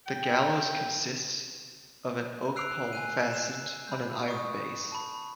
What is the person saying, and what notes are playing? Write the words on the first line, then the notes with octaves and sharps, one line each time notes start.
The gallows consists of an oak pole fastened on an iron base.
G5
E6 F#6 C7 D7 F7
G#5 F#6 D#7
E7
B5 G6
C#6 D#6
A5 B5